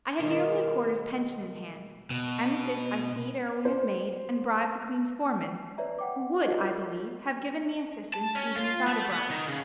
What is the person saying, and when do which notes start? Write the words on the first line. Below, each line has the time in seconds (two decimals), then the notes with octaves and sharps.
I had nearly a quarter's pension in hand, and with this I fee'd Arowhena's maid, and bribed the Queen's foreman--who would, I believe, have given me assistance even without a bribe.
0.19 B2 D#3 G3 G#3 A#3
2.11 B2
3.65 C5
5.78 B4 C#5 D5 E5 A#5
5.99 F#5 G5 D6
6.44 D#4 F4 G4 A#4 C#5 D#5
8.14 A5
8.35 C#4
8.56 F4
8.88 A3
9.11 B3
9.30 D#3
9.47 C#3